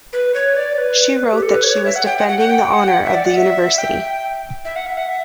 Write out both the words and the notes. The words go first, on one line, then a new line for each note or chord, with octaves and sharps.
She wrote that she was defending the honour of the university.
B4
C#5
D5
B4
G4
A4
B4
C#5
C#5
E5
F#5
G5
F#5
F#5
F#5
G5
F#5
G5
F#5
E5
D5
F#5
E5
G5
E5
F#5
E5
F#5
E5